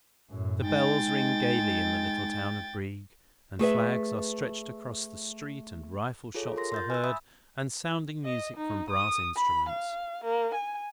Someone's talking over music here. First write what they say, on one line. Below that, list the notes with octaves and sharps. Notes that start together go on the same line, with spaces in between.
The bells ring gaily in the little town of Brieg, and flags are stretched across the street, and rifle shots are heard, and sounding music from brass instruments.
F#2 A2
G#3 D#4 G5 A6
A3 G#4 B4 E5
F4 G#4 A4 C#5
F4 A#4 C6 A#6
C6 G6 A6
G#5 E6
E5 B5 D#6 E6
D#5
D#4
D#6
B5
F5
A#3
G#5